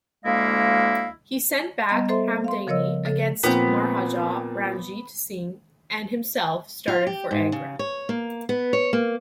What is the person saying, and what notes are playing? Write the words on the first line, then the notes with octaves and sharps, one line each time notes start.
He sent back Hamdani against Maharaja Ranjit Singh and himself started for Agra.
D2 G#3 A#3 E4 D#5 F5
G3 B3 D#5 A#5
A4 C5 E5 C6
F5 C6
C#3 F3 A#4 C#5 D#5 E6
C#3 A4
A#2 F3 B3 C4 G6
F4
G4
G#2
C#3
C#5
A#3
B3
C#5
A#3